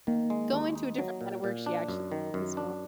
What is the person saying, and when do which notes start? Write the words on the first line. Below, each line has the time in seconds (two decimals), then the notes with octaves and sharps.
go into a different kind of work she actually likes more.
0.07 D#3 A#3
0.30 G#3
0.53 D#2
0.75 D#4
0.98 F#3
1.21 A#2
1.44 A#2
1.66 D4
1.89 F#2
2.12 D#3
2.34 F#2
2.57 D4